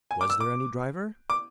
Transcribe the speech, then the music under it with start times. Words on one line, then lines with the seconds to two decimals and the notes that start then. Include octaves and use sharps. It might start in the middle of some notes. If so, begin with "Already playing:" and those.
Was there any driver?
0.11 G#5
0.21 D6
0.30 E6
0.40 D6
1.30 D6